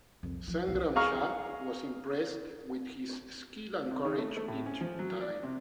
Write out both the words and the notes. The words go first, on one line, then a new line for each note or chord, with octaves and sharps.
Sangram Shah was impressed with his skill and courage each time.
C2 F2
F3
B1 C#3
G#4 F5 A#5 C#6 F6
C3
D#3
A3
A3
A2
C#4
F3
F#3
D5
C3